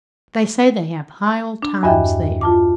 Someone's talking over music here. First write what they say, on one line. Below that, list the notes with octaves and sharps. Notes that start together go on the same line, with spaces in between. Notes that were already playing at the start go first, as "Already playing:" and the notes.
They say they have high old times there.
D4
E2 G2 F#4 D#5 E5 G5
F4 A5 D6